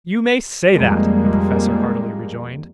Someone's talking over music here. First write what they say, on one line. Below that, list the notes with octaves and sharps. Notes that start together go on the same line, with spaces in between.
"You may say that!" the Professor heartily rejoined.
F2 G3 G#3 A#3